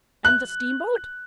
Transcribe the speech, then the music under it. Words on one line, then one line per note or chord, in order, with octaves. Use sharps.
"And the steamboat?"
F#6